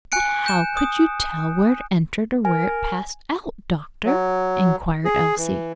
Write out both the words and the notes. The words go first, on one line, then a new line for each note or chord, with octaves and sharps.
"But how could you tell where it entered or where it passed out, doctor?" inquired Elsie.
G#5 F#6 C#7 D7
G6 E7
D#6
A#4 G#5
F#3
G#4
E3